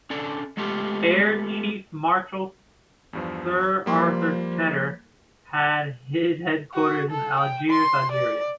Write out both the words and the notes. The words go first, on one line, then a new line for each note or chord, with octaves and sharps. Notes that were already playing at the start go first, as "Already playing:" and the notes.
Air Chief Marshal Sir Arthur Tedder had his headquarters in Algiers, Algeria.
C#4 D4 A4 D5
G#3 A3 B3 F4 G4 A4
E2 G2 F3
F3 G3 A#3 C6
F#4
A4
G5
C6
D5